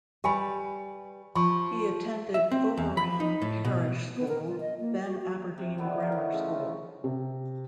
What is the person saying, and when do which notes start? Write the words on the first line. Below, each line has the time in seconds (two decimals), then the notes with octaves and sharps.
He attended Foveran Parish School then Aberdeen Grammar School.
0.24 G3 G4 B4 G#5 B5
1.35 F3 B5 C#6
2.34 E5
2.51 C4
2.77 E2
2.97 B5
3.20 D#4
3.42 A2
3.65 B2
4.16 B3
4.28 A#4
4.48 F4
4.60 D#5
4.80 A#3
5.06 F#4
5.21 F#4
5.58 C3
5.78 D3 D#3 B3 E4
6.00 A#4 C#5
6.12 B3 D#4 E4
6.33 C#3 F3 A3
7.04 C3